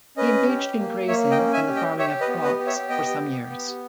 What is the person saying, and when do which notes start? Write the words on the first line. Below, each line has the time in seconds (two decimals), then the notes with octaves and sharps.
He engaged in grazing and the farming of crops for some years.
0.17 C#4 B4 D#5
0.47 G4
0.78 A#3
1.07 A#3 C#5 E5
1.31 D#5 G5
1.38 C#4
1.53 E5 G#5
1.68 G4
1.76 D#5 G5
1.99 G4 C#5 E5
2.21 B4 D#5
2.28 B3
2.44 B4 D#5
2.59 G4
2.67 C#5 E5
2.89 B3 D#5 G5
3.20 G4
3.50 B3